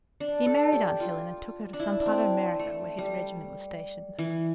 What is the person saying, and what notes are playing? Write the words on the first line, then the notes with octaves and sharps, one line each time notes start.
He married aunt Helen and took her to some part of America where his regiment was stationed.
D4
A4
G4
F4
D4
E4
D4
C4
A3
G3
E3